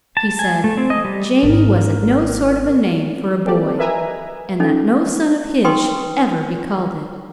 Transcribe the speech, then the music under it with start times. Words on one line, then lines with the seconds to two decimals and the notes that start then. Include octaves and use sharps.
He said 'Jamie' wasn't no sort of a name for a boy, and that no son of his should ever be called it.
0.17 A5
0.39 G#5
0.64 A3
0.77 C4
0.90 D#5
1.05 G3
1.43 G#1 A#4
3.46 A#3 C4 G4 A4 D5
3.78 A#4 B4 D#5 E5 G#5 A#5
4.60 C#4 D#4 A4
5.64 D#4 B4 G5 C6 C#6 D#6